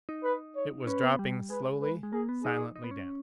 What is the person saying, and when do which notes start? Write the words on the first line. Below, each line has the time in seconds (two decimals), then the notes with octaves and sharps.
It was dropping slowly, silently down.
0.09 D#4
0.24 B4
0.56 C#5
0.87 C#4 B4
1.03 B3
1.19 G3
1.50 G#3 B4
1.82 B4
2.03 G#3
2.13 A#3 G#4
2.29 B3
2.44 D#4 G#4
2.76 D#4
2.84 B3
2.91 C#4